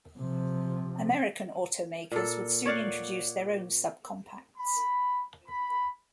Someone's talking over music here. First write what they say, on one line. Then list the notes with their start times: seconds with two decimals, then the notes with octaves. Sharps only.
American automakers would soon introduce their own subcompacts.
0.19 C3 F3
2.11 A#2 A4
2.66 C#5 D5 F5 F#5
4.58 B5
5.47 B5